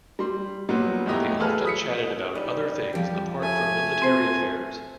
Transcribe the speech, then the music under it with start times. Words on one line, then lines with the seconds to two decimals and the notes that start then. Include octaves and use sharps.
They often chatted about other things apart from military affairs.
0.19 G3 C6
0.69 A#2 F#3 G3 B3
1.06 E2 A2 A3 G4 D#5 A#5
1.40 G#4 A4 B4 F6
1.65 D#6 B6 C#7
2.35 G3 D#4
2.93 F2 F3 G3 G4
3.43 A3 G#5
4.02 C4 C5